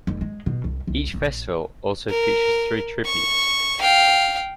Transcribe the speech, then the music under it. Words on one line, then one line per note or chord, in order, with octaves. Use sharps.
Each festival also features three tributes.
F1
G#3
B2
C2
C2
A#1
A#4
C#6
F5 G5